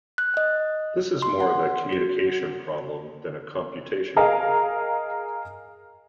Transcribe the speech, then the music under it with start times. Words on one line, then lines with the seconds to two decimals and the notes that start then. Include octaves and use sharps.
This is more of a communication problem than a computation one.
0.18 F#6
0.37 D#5
1.22 C6
1.40 F#5
1.93 F#4
4.16 G#4 A#4 D#5 F5 A#5